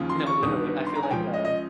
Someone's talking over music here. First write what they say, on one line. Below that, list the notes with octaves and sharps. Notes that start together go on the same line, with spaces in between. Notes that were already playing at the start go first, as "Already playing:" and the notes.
No, literally. I feel like, uh
Already playing: D#2 C#3 F3
C6
C#6
G1 G2 D#3 D#6
C6
A#5
G#5
C#2 C#3 F3 G5
D#5
D#5